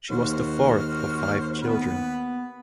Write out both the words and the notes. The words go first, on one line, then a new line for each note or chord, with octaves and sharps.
She was the fourth of five children.
D#2 F#4 C5 F6
B3 B4